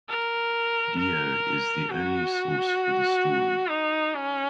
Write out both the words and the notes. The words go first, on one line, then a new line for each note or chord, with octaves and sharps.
Dio is the only source for the story.
A#4
A#4
F#4
D#4
C#4